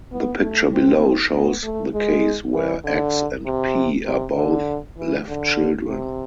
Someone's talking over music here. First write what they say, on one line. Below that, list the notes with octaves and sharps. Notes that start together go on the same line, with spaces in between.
The picture below shows the case where "x" and "p" are both left children.
B3
A3
C4
B3
A3
G#3
E3
D3
C3
C3
D3
E3
D3
C3